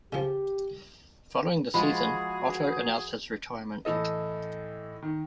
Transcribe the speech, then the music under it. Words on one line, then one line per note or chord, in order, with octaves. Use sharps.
Following the season, Otto announced his retirement.
C#3 F3 G4
F3 G#3 F#4 G#4 B5
A2 E3 A4 D#5
D#3